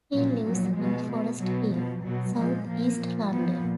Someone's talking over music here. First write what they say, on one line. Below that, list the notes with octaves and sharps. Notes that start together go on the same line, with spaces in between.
He lives in Forest Hill, south east London.
A#2 F3 F#3
A#2 F3 F#3
B2 G#3
B2
B2 F#3
B2 F3
B2 F#3
A#2 F3 G#3
A#2 F3 A#3
A#2 F3
A#2 F3 B3